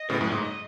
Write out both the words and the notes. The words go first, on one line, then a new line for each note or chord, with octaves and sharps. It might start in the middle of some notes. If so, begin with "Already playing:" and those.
and, um
Already playing: D#5
A2 C#3
F#2 A2
G#2
D#5